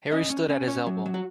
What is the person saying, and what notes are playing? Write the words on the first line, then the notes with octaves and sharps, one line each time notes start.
Harry stood at his elbow.
C#4 D#5
C#4
C#4
C#4 C#5
F#3
F#3
F#4